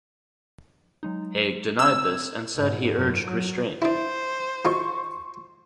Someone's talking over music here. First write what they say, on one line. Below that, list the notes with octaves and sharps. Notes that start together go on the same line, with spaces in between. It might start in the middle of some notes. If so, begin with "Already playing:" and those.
Haig denied this and said he urged restraint.
F#3 G#3 D#4
C4 E6 G#6
G#2
F#2
F#3
D4 E4 C5
F3 F#3 D#4 C6 C#6